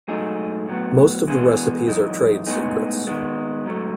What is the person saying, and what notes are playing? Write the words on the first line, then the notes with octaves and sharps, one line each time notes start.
Most of the recipes are trade secrets.
G#2 F#3 A3 D#4 G#4
A2 F#3 B3
E3 G#3 B3 E4 G#4
F#2 E3 G#3 D#4
A2 G#3 B3 D#4 G#4
D#3 G#3 B3
G#2 F#3 A3